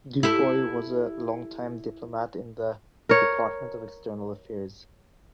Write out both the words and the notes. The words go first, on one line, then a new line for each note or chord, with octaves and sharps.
Dupuy was a long time diplomat in the Department of External Affairs.
E4 G4 A4
A#4 C#5